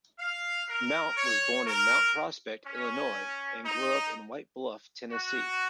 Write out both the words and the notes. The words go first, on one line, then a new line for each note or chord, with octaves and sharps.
Mount was born in Mount Prospect, Illinois and grew up in White Bluff, Tennessee.
F5
A#4
C#5
A#4
C#4
D#4
F#4